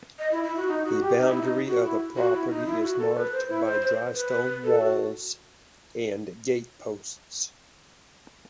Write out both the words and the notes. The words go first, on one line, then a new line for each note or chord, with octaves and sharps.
The boundary of the property is marked by drystone walls and gateposts.
D#5
E4
E4
F#4
D#4
F#4
G4
D#4
E4
D#4
F#4
E4
F#4
E4
D#4
E4
F#4
A4
B4
C5
E4
C5
C5
B4
A4
F#4